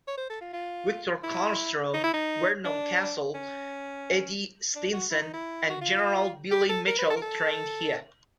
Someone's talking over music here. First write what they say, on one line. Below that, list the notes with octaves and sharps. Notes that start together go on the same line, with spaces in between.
Victor Carlstrom, Vernon Castle, Eddie Stinson and General Billy Mitchell trained here.
C#5
C5
A4
F4
F4
E4
D#4
E4
D#4
D4
C#4
D4
F#4
E4
D#4
E4
F#4
F4
G4
A4
A#4
B4
A4
A#4
A4